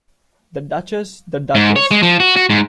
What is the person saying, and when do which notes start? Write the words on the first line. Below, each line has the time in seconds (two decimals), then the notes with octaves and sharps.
The Duchess, the Duchess!
1.55 G#2
1.76 C#5
1.91 G#3
2.03 F3
2.20 F#4
2.36 F#4
2.50 G#2